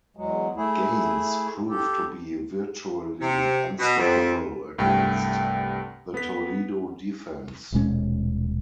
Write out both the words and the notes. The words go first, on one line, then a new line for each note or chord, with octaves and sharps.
Gaines proved to be virtually unstoppable against the Toledo defense.
E2 F#3 G#3
A3 E4 G#4
G4 A4
C3
B2
F2
C2 G2 A3 G5
B3 B6
D#1 B2 G#3 C#4